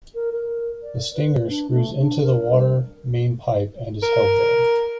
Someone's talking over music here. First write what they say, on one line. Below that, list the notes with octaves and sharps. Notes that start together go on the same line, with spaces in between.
The stinger screws into the water main pipe and is held there.
A#4
A#4
D5
B4
D4
A3
D4
A#4
G3
A#4